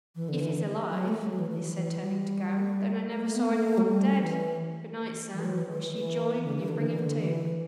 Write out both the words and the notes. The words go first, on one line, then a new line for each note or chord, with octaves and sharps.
"If he's alive," he said, turning to go, "then I never saw any one dead! Good night, sir, I wish you joy when you bring him to."
E3
D3
E3
F#3
A3
G3
F#3
E3
E3
E3
G3
A3
A3
B3
A3
F#3
G3
E3
E3
F#3
E3
E3
E3
E3
D3
E3
D3
E3
D3
E3